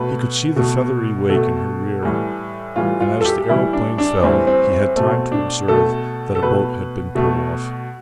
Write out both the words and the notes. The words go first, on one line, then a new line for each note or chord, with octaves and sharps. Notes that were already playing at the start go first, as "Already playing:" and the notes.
He could see the feathery wake in her rear, and as the aeroplane fell he had time to observe that a boat had been put off.
Already playing: B2 A3 B4
B2 A3
B2 A3 A4
A2 E3 G3
A2 E3 G3 F4
F4
A4
G4
A2 E3 G3 E4
D4
D4
A2 E3 G3 C4
C4
C4
B2 A3 C4
D4
B2 A3 A4
A4
B2 A3 B4
B2 A3